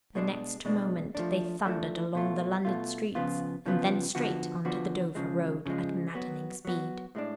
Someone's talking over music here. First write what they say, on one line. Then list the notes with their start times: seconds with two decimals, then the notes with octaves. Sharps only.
The next moment they thundered along the London streets, and then straight on to the Dover road at maddening speed.
0.15 B2 G#3 D4
0.65 B2 G#3 D4
1.15 F3 A3 D4
1.65 F3 A3 D4
2.15 B2 A3 F4
2.65 B2 A3 F4
3.15 C#3 F3 B3 F4
3.66 C#3 F3 B3 F4
4.15 D3 F3 B3 F#4
4.65 D3 F3 B3 F#4
5.15 C#3 F3 G#3
5.66 C#3 F3 G#3
6.15 F#3 B3 F#4
6.65 F#3 B3 F#4
7.15 A2 G#3 D4